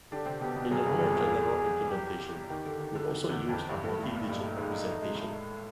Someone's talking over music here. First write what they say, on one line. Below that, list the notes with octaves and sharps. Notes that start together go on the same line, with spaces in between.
In a more general implementation, would also use a multi-digit representation.
D3 D4 G4
C3 C4
B2 B3 G4
B2 B3
F#2 F#3 G#4
G2 G3
F2 F3
E2 E3
G4
D#3
D3
D#3
D3
D#3
E2 E3
F2 F3
G2 G3 E4
A2 A3
A2 A3
A#2 A#3
G2 G3 D#4
G#2 G#3
A3
G#3
A2 A3